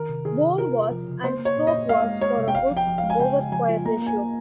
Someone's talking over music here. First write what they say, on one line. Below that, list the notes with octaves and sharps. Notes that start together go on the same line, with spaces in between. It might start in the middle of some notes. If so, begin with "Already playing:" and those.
Bore was and stroke was for a good oversquare ratio.
Already playing: D#3 A#4
C3
D#3 G#4
C3
F4 A#4
F4
F3
C#3
A#3 C5
A#3
C#5
A#2
D#5
A#3
G#3 F5
G#3
G#3 C#5
C3
G5
G1 F5
F3
G5
F3
F5
G#3
G#5
C#3 G5
C#3
F3 G#5
F4
A#3 A#5
A#3 G#5